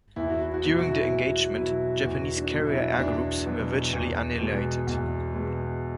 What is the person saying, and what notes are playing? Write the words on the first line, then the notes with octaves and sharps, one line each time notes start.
During the engagement, Japanese carrier air groups were virtually annihilated.
E2 E4
F#4
E4
F#4
B2 F#3 E4
F#4
E4
E2
B2 F#3 E4
E2 F#4
D4
B2 F#3
E4
E2 D4
B2 F#3
E2
B2 G#3
E2
B2 G#3